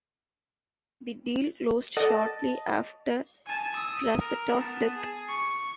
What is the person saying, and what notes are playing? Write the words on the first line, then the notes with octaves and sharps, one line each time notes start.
The deal closed shortly after Frazetta's death.
A4 D5 D#5 F#5 A5
G#5 A5
D#6 E6
A#4
B3 A5
G#4
C#6